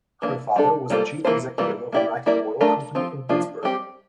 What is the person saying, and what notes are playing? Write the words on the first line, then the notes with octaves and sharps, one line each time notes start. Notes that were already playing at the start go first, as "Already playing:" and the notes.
Her father was the chief executive of United Oil Company in Pittsburgh.
E3 A#3 D4
G3 D4 A4
G3 A#3 F4 A4 C5
E3 A#3 F4 C5
E3 G3 A#3 F4 A#4
A#3 E4 G4 D5
G3 A#3 E4 A#4 D5
A3 D4 F4 A#4
F3 C4 F4
F3 A#3 D4 F4
G3 C4 G4